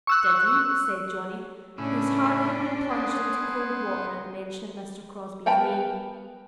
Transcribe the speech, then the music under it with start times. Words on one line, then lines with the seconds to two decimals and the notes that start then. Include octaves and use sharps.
"Did you?" said Johnny, whose heart had been plunged into cold water at the mention of Mr. Crosbie's name.
0.07 C#6 E6 F#6
1.78 A2 C#3 C#4 D4 E4
2.91 B3 G#4 C5
5.46 B3 A#4 G5 A5 B5